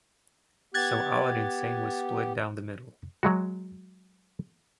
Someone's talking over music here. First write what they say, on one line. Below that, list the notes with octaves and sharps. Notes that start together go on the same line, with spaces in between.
So "Aladdin Sane" was split down the middle.
B3 G4 F#6 G#6 A6
F#3 G#3 F#4